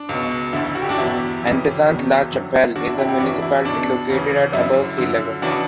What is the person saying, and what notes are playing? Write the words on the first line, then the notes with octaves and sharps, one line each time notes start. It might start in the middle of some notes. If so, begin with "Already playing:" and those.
Antezant-la-Chapelle is a municipality located at above sea level.
Already playing: D4
C#2 B2
D2 D3 E4
F#4
G4
D4 F#4
E2 B2 E4 G4
F#2 C#3 E3
E2 B2
F#2 D3
E2 D3 D4 F#4
E4
E4 G4
E4 G4
E2 C#3 E3 D4 F#4
E4
C#2 B2 D4
D2 C#3 E3
F#2 D3 E4
F#2 D3
C#2 C#3 E3 D4 F#4